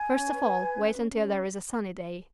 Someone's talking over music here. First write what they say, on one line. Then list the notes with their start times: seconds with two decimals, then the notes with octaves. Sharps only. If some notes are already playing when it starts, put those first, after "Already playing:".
First of all wait until there is a sunny day.
Already playing: G#5 G#6
0.09 C#4
0.26 B4
0.43 B4
0.60 B4
0.76 C#4
0.93 C#4
1.10 C#4